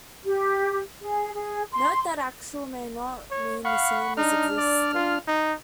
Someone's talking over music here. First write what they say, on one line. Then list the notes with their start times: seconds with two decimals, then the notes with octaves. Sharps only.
Note that "actual" may not mean the same as "existing".
0.25 G4
1.01 G#4
1.35 G#4
1.73 C6
3.31 C#5
3.65 F5 F#5 B5 C#6
4.17 D4 D#4 F6
4.57 D5
4.94 F4
5.27 D#4